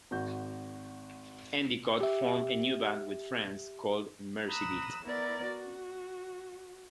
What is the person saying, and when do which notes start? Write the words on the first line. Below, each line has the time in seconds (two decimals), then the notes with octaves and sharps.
Endicott formed a new band with friends called Mercy Beat.
0.11 G#1 F#4 G6
2.01 G4 E5
4.47 A#5 B5 D#6 E6 F#6
5.03 B3 E4 A#4 D5
5.44 F#4